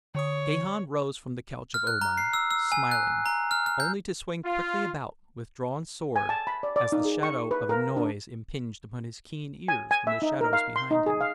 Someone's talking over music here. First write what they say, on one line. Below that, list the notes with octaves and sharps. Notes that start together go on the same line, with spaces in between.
Gahan rose from the couch of O-Mai, smiling, only to swing quickly about with drawn sword as the shadow of a noise impinged upon his keen ears from the shadows behind him.
D3 C#5 D#6
F6
F#6
A#5
C7
E6
E6
G#5
F#6
A#5
F6
F6
G6
F4
G#5
A5
B5
D5
D5
D#4
G#4
C#6
B4
A#4
D4
G#5
G#5
E5
D#4
A#4
F5
C6
D#4
G#4
F5